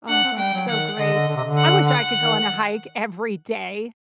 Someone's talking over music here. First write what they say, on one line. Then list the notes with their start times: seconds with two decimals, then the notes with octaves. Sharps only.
Aw, that's so great. I wish I could go on a hike every day.
0.09 D4 F#5
0.24 C4
0.32 A3
0.38 G3 G5
0.54 F#3
0.68 D#3 F#5
0.98 D3 D#5
1.14 D3
1.28 D3
1.36 C3
1.44 D3
1.59 F#5
1.88 F#5
2.18 D#3